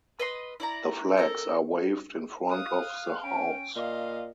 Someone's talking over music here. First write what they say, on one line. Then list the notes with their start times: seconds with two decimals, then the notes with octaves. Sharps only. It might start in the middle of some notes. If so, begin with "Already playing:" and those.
The flags are waved in front of the house.
0.20 B4 D#5 C6
0.60 E4 D5 A#5
1.17 A4 A#4
2.51 F5 D#6 F#6
3.23 C#4 G5 D7
3.76 A#2 D#5 F5 C6